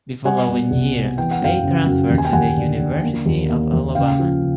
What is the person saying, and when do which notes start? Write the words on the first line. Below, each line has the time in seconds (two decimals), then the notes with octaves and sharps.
The following year Pate transferred to the University of Alabama.
0.25 G3 F#5 G#5
0.48 B2
0.71 C2
0.94 B2
1.18 E3 G5
1.31 F#5
1.41 F#2 F5 G5
1.63 C#3
1.87 F#2
2.10 D#2
2.18 G#5
2.25 G5
2.33 D#2 F#5 G#5
2.57 D3
2.79 D3
3.04 A#3
3.26 D#2
3.49 A#3
3.73 D#2
3.95 C#3 F5 G5
4.19 F3
4.41 C#3